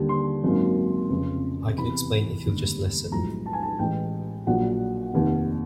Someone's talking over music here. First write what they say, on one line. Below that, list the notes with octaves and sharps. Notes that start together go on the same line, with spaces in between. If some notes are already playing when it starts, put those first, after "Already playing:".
I can explain if you'll just listen.
Already playing: D#2 D3 G3
C6
G#1 F#2 D#3 F#3 A#3
F1 F2 C#3
E2 C3 E3 B5
E1 D#2 D3 G3
B1 A2 F3 G#3 A#5
A5
G#5
A5
A1 A2 E3 G#3 G5
A#1 A#2 F#3 F#5
F1 D#2 D#3